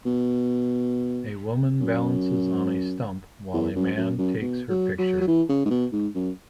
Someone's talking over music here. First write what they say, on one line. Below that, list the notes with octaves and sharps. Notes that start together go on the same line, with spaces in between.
A woman balances on a stump while a man takes her picture.
B2
F#2
E2
F#2
F#2
F#2
B2
F#3
F#3
F#3
E3
C#3
G#2
B2
G#2
F#2